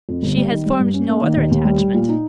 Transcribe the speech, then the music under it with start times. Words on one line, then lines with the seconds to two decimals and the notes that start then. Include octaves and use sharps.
'She has formed no other attachment?'
0.09 F2
0.23 G1
0.37 G3
0.52 D#3
0.66 G3
0.79 G2
0.94 C#4
1.09 A#3
1.22 D#3
1.36 D#2
1.51 D#2
1.65 G3
1.79 G3
1.94 A#2
2.09 D#4